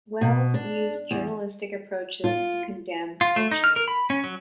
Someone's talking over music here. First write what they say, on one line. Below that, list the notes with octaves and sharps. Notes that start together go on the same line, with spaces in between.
Wells used journalistic approaches to condemn lynchings.
B2
D4
E2
F4
F4
A3
D#4
F6
A#4
B5
C#4
F#3